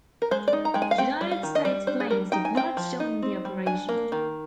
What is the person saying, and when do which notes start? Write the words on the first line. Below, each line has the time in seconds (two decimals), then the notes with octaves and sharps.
United States planes did not join the operation.
0.22 A#4
0.31 G#3 C5
0.48 D5
0.53 D#4
0.65 A#5
0.74 G#3 G5
0.82 G#5
0.91 F5
0.98 C4 G5
1.21 G3
1.31 F5
1.43 D#3
1.55 D#5
1.65 G3 D5
1.87 D4 C5
2.00 G#4
2.10 G3 A#4
2.32 D#4 G5
2.45 G#5
2.55 C4 G5
2.77 F3
3.00 D#4
3.22 C4
3.45 G3
3.66 D4 G#5
3.89 A#3
4.12 D#3